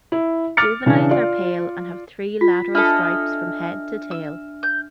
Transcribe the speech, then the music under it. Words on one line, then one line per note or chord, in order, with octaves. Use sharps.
Juveniles are pale and have three lateral stripes from head to tail.
E4
D6 F6 A6 C#7
C#3 E3 D4
F4 D5
F4 B6
D4 A4 D#5 E5 B5 F6
E6
G6